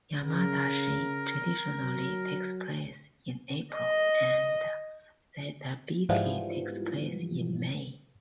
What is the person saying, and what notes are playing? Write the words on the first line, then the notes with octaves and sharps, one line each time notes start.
"Yamadashi" traditionally takes place in April, and "Satobiki" takes place in May.
C#3 A#4
F#3
D#5
G#2 E3 F3 G3 B3